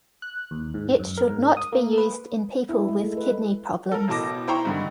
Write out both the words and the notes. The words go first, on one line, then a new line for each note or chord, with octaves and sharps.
It should not be used in people with kidney problems.
F#6
D#2
G#2
F#2
A#4
G#2
D#6
A#3
B4
E4
G#3
A3
B4
A4 A#4
A1 B2 A5 D6 A#6
E4 C5 G5 A#5 C6 C#6
G2 D3 D#3